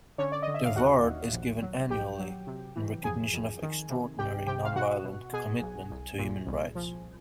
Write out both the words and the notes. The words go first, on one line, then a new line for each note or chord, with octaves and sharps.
The award is given annually in recognition of extraordinary, non-violent commitment to human rights.
D3 C#4 C#5
D5
D3 D#5
E5
F5
D#2 F#4 F#5
D#2
A#1
F#3
A#1 G4 G5
F#3
C3
E3
F2 G#4 G#5
F2
D#3
C3
C2 G4 G5
C3 G4 G5
F5
B2 F#4 F#5
B2
B2 G#4 G#5
B1
C2
A#2
C2
F3